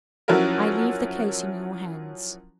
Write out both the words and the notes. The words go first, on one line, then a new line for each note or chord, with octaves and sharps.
I leave the case in your hands.
F3 F#3 C#4 E4 F#4 A#4